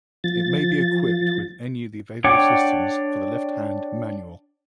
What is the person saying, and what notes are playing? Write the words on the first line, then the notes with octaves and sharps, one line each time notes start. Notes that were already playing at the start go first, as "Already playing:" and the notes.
It may be equipped with any of the available systems for the left-hand manual.
F3 A6
D4 C#5 F#5 G5 D6